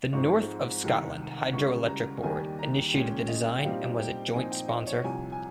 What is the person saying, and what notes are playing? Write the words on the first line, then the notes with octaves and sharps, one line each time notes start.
The North of Scotland Hydro-Electric Board initiated the design and was a joint sponsor.
G#2 F3 G#3 C4 D#4 C#6
C2 C3 D#3
C#2 C#3 G3 C#6
A#5
D#2 D#3 G3 G#5
A#5
A#2 G#3 C#4 G5
D#5
G5
A#2 G3 C4 D#4 F5
G5
A#2 F3 C4 D#4 G#5
G5
D#5
C#5
C2 C3 F3 G#5
G#5